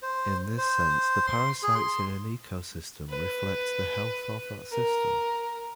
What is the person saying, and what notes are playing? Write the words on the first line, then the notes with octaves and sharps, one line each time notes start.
In this sense, the parasites in an ecosystem reflect the health of that system.
C5
C5
C6
G#4
C6
B4
A#4